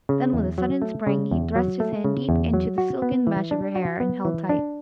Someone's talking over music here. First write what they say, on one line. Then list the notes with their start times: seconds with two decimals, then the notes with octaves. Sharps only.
Then with a sudden spring he thrust his hand deep into the silken mesh of her hair and held tight.
0.09 C#3
0.33 E2
0.58 F#3
0.82 A3
1.07 C#3
1.31 E2
1.56 F#3
1.80 A3
2.04 C#3
2.29 E2
2.54 F#3
2.78 F#4
3.02 B3
3.27 E3
3.51 D4
3.75 F#4
4.00 B3
4.25 E3
4.49 D4